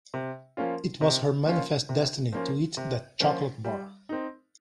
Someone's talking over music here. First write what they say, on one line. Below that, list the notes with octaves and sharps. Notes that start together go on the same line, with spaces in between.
It was her manifest destiny to eat that chocolate bar.
C3
F3 A#3 C#4 F4
C3
F3 A#3 C#4 F4
C3
F3 A#3 C#4 F4
C3
F3 A#3 C#4 F4
G3
C4 D#4